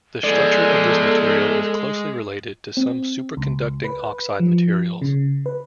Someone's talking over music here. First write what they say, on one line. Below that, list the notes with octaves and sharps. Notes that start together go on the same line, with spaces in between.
The structure of this material is closely related to some superconducting oxide materials.
G#3 G#4 A4 D5
C4
C#2
B4
F3
C#3
B4